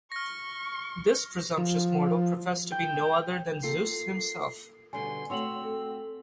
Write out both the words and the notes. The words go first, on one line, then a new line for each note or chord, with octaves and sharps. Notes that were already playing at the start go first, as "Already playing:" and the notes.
This presumptuous mortal professed to be no other than Zeus himself.
C#6 F6 A#6
F3
G5
A#3 F4 A4 C7
B2 D3 G3 G#5 C6
A3 C4 F#4 C#5 C6 E6 F7 F#7
A4